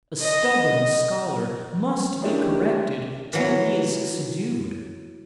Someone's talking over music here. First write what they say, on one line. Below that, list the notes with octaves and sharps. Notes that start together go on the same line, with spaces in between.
A stubborn scholar must be corrected till he is subdued.
D#5
G#3 A#3 C#4 D4 E4 G4
E3 F#3